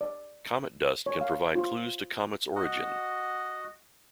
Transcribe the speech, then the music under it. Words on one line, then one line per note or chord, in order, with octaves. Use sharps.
Comet dust can provide clues to comets' origin.
D5
C#5
F5
F4
F#4 D#5 F#5